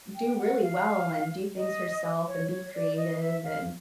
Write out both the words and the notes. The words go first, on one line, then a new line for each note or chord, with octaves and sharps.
do really well and do things herself and be creative and,
G5
F#5
F5
D#5
C#5
C#5
D5
D#5
E5
F5